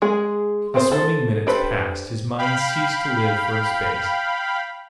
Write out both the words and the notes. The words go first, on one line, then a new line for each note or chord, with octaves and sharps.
The swimming minutes passed; his mind ceased to live for a space.
G#3 G#4
B3 C4 G#4 B4 C5
A4 C5
D4 G4 A4 B4 C5
F5 G5 B5